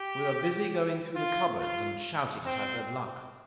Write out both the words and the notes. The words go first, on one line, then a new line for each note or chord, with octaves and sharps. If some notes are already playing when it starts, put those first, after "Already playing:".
We were busy going through the cupboards and shouting at our good luck.
Already playing: G4
F4
F4
C4